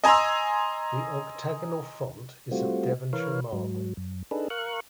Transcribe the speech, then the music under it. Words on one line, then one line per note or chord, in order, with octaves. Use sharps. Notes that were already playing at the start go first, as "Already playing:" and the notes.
The octagonal font is of Devonshire marble.
D#5 G#5 A#5 C6 E6
G3 A3 C4 F4 F#4
E3 A#4 B4 C#5 F5
G#2 F#3
F#2
D4 D#4 G#4 A4 B4
A#4 F5 C#6 F#6